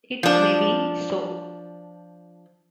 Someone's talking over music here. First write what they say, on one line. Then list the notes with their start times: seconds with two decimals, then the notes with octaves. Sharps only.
It may be so.
0.23 F3 D4